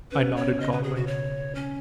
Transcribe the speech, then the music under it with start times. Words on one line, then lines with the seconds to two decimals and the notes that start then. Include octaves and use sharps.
I nodded calmly.
0.11 C#4 B4
0.36 B3 C#5
0.59 C#3 D#5
0.72 B2 B4
0.83 G#4
0.91 B2
0.96 F#4
1.07 C#3 C#5
1.55 C#4